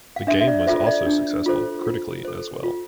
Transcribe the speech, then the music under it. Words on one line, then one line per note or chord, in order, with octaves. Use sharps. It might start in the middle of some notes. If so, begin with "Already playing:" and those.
The game was also successful critically as well.
F5
D4 E5
E5
D5
F4 A4 C5 E5
D5
D4
F4 A4 C5
F4
A4 C5
F4